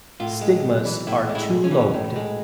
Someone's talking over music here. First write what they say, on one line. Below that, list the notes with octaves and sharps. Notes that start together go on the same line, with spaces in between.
Stigmas are two-lobed.
A2 F4
G#3
B1
E3
A2 E4
G#3
E4
B1
C#4
E3
A2
G#3